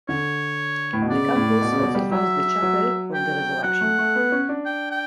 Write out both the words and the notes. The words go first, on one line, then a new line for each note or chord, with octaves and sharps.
The campus also housed the Chapel of the Resurrection.
D3 C#5
A2
B2
C#3 D5
A2
B2
C#3
B2
G3
F#3 E5
F#3
G5
F#3 F#5
A3
A3
B3
C#4
D4
G5
G5